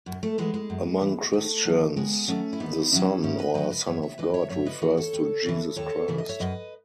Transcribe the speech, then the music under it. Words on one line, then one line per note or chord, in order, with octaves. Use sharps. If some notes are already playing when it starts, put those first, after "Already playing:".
Among Christians, "the Son" or Son of God refers to Jesus Christ.
F#2
A3
E3 G#3 B3
G#3
F#2
E3
B3
D#2 A3
D#3 F#3
D#2 G#3 B3
D#3 F#3 A3 C#4
E4
G#2 B3 D#4
D#3 F#3 C#4 E4
G#2 C#4 E4
B4 D#5
D#3 F#3 B4 D#5
B4 D#5
F#2 C#5 E5
C#5 E5
E3 B4 D#5
C#5 E5
F#2 C#5 E5
B4 D#5
E3 F#4 A4
A4 C#5
D#2
C#3 E3
D#2 A4 C#5
C#3 E3 E5
D#5
C#5 E5
F#2 B4 D#5